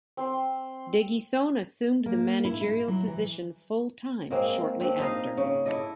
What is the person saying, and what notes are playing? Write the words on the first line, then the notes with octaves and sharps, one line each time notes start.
De Guisson assumed the managerial position full-time shortly after.
C4 C5
A#3
E4
E4
F#3
E3
G#3 A#3 C4
C4 D4 G4
D#4 D#5 F5
C#3
E4 A4 D5 D#5